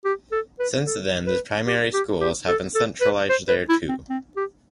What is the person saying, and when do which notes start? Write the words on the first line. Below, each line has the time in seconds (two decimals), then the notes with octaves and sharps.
Since then the primary schools have been centralized there too.
0.05 G4
0.31 A4
0.59 B4
0.85 A4
1.27 B4
1.66 G4
1.93 G4
2.20 G4
2.48 A4
2.75 A4
3.01 B4
3.29 C5
3.48 B4
3.69 E4
3.89 C4
4.09 C4
4.36 G4